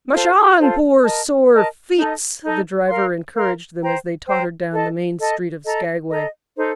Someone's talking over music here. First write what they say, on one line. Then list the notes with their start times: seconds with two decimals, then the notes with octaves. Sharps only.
"Mush on, poor sore feets," the driver encouraged them as they tottered down the main street of Skaguay.
0.13 F4 A4 C5
0.59 F4 A4 C5
1.04 A#4 D#5 A5
1.51 A#4 D#5 A5
1.97 D#4 A4 D#5
2.43 D#4 A4 D#5
2.88 A#4 F5 C6
3.34 A#4 F5 C6
3.81 C5 G5 A#5
4.26 C5 G5 A#5
4.72 A4 D#5 A5
5.19 A4 D#5 A5
5.64 A4 D#5 A#5
6.10 A4 D#5 A#5
6.56 D#4 A4 C5